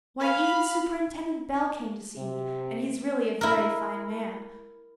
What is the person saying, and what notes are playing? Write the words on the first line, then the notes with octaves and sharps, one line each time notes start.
Why, even Superintendent Bell came to see me, and he's really a very fine man.
F5 B5
C3
E4 A#4